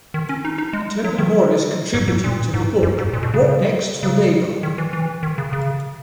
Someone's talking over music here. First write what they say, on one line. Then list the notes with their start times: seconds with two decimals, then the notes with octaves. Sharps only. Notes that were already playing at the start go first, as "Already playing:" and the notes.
Temple-Morris contributed to the book What next for Labour?
0.14 D#3
0.29 C#4
0.45 D#4
0.58 D#4
0.73 G#3
1.04 F#3
1.18 D#3
1.94 G#2
2.08 G#2
2.24 A#2
2.54 G#2
2.83 F#2
2.99 G#2
3.13 A#2
3.23 B2
3.34 C#3
4.03 C#3
4.63 D#3
4.78 E3
4.93 E3
5.23 D#3
5.38 C#3
5.53 C#3